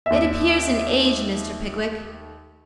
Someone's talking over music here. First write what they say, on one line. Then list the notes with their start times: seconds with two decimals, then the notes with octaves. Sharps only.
It appears an age, Mr. Pickwick.
0.06 D#2 E5